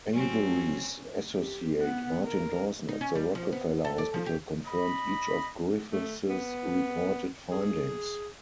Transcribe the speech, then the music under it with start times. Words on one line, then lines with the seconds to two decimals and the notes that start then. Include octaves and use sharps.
Avery's associate Martin Dawson at The Rockefeller Hospital confirmed each of Griffith's reported findings.
0.13 F#3 C4 C#4
1.36 G4
1.80 B3 F#5
2.24 A#4
2.89 D#4
3.01 C#4
3.15 G3
3.35 F3
3.52 B3
3.85 A4
3.98 D5
4.14 F3
4.26 G4
4.66 D#5 B5
5.92 A3
6.30 B3
7.51 G#4